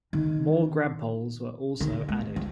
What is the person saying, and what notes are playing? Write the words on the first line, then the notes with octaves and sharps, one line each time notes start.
More grabpoles were also added.
D#3
D#3
G#3
F3